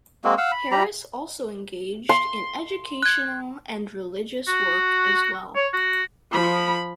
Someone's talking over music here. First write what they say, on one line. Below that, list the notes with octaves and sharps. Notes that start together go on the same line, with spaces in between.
Harris also engaged in educational and religious work as well.
G#3 A#3 C4 F#4
F5 F#5 E6
B5
G3 G4 A#5 B5
C6
F#6 G#6
F#4
C#5
F#4
F3 B5